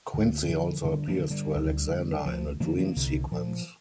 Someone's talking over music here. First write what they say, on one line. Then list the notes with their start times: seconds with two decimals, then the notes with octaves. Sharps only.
Quincey also appears to Alexander in a dream sequence.
0.14 D2 D3
0.48 D3 F3
0.83 D2 D3 G3
1.08 F3 A#3
1.19 D3
1.30 D3 G3
1.55 D2
1.90 D3
2.26 D2 F3
2.60 D3 F3 A#3
2.78 F3 A#3
2.96 C2 D3
3.31 A#2 F3